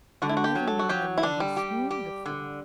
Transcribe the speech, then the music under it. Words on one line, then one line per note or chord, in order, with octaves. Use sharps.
I never knew my Lady swoon before.
D3 F#4
E4
F#4
G4
F#3
A4
F#4
F#3 G4
E4
D3 D4
G3
G4
G4
D3